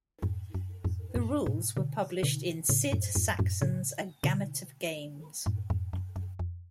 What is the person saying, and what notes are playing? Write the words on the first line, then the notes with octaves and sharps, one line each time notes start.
The rules were published in Sid Sackson's "A Gamut of Games".
F2 G#2
F#2
F2 G#2
F#2 A2
G#2 B2
B2 D3
B2 D3
A2 C#3
F#2 A2
F2 G#2
F#2 A2
A2 C#3
B2 D3
F#2 A2
F2 G#2
F#2
F#2
F2